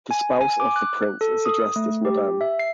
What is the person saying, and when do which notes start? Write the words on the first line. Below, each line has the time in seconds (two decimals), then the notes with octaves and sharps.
The spouse of the prince is addressed as Madame.
0.11 G#5
0.41 G#5
0.60 D6
0.76 F#6
1.21 A4
1.46 D#6
1.76 A3
2.05 G4
2.41 E5
2.59 C7